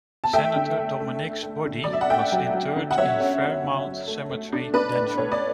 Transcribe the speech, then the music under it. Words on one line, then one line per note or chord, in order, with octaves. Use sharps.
Senator Dominick's body was interred in Fairmount Cemetery, Denver.
A5
A3 E5 G5
D3
A3
A3
A3
A3
D3
F#3 D5
E5
F#5
A3 E5 G5
F#3
F#3
D3
F#5
F#3 C#5 E5
C#4
C#4
D3
F#3
A3
A3
D4
D4 B4 D5
A2
A3 C#5
D5